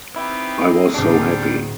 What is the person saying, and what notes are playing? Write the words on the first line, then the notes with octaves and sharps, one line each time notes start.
I was so happy.
B3 C4 D#4 E4 G4
D1 G3 D4 G#4 D6